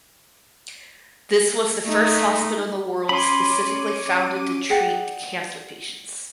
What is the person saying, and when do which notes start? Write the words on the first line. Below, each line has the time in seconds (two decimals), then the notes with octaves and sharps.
This was the first hospital in the world specifically founded to treat cancer patients.
1.84 A3 D#4
3.09 C#4 C#5 B5 C6 D6 D#7
4.70 G#4 D5 F#5 G5